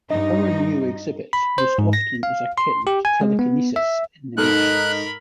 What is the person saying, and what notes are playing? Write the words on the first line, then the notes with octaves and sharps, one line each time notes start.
The power Neo exhibits most often is akin to telekinesis in the Matrix.
G2 D#4 D#5
B5
C5
G#2
A#6
F5
C6
G4
G#5
G#3
B3
E5
G#2 D#4 A4 A#4 B5 F6 F#6